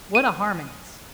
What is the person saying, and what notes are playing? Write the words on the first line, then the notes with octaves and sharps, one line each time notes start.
What a harmonist!
D#7